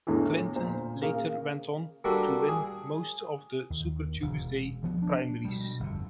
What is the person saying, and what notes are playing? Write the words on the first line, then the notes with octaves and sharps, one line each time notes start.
Clinton later went on to win most of the Super Tuesday primaries.
E2 A2 D3 E3
A#2 C5
C#3 A#3 A#4
G3 A#3 D4 F#4 A4
G#4
D#2
E1
D2 F3 G3 B3
D4
B2 G3
G1 F2 D3